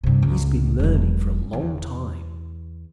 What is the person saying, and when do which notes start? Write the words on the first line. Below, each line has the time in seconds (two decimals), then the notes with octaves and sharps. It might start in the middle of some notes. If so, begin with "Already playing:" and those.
"He's been learning for a long time."
0.03 G2 C3
0.22 C#2
0.79 E1 F#3
1.53 E2